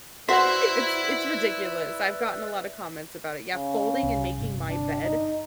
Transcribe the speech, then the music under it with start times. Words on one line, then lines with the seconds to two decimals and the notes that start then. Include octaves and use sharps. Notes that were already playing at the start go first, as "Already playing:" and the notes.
it's it's ridiculous, I've gotten a lot of comments about it; yeah, folding and making my bed
0.29 F#4 B4 C5 D5 E5 B5 E6
3.55 C#3
4.03 C2
4.38 G1 C3
4.69 D4
5.03 D#4